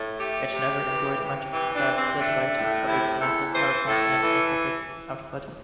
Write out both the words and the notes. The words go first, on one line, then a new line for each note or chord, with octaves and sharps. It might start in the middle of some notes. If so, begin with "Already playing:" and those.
It never enjoyed much success despite of its massive powerplant and impressive output.
Already playing: A2
A3 G4
C3 G4
E3
C3
E3 G4
D4
C3
C4
A3 D4
A2
C3 E4
E2 A4
E3 C5
A2 A4
E3